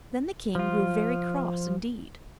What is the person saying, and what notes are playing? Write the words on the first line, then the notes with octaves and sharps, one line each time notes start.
Then the king grew very cross indeed.
F3 F4